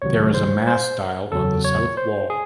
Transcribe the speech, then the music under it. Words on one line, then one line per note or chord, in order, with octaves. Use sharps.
There is a mass dial on the south wall.
C#2 C3 D#3 F#3 C#5
C5
C5
E2 C#3 F#3 A4
C#5
C5
G#4